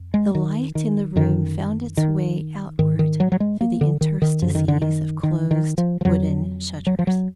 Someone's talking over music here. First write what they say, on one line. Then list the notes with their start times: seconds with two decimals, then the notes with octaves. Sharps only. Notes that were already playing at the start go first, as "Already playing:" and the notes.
The light in the room found its way outward through the interstices of closed wooden shutters.
Already playing: F2
0.14 G#3
0.35 D#3
0.75 D#3
1.16 F#2 D3 D#3
1.97 D#3
2.79 G#2 D#3
2.99 D#3
3.20 F#3
3.32 F#3
3.40 G#3
3.61 A#3
3.81 D3
4.01 D#3
4.22 D#3
4.42 F#2 D3 F3
4.55 D#3
4.68 D3
4.82 D#3
5.23 D#3
5.51 D#3
5.78 F3
6.01 F3
6.05 F2 D3 F#3
6.87 F#3
6.99 F3
7.07 F#3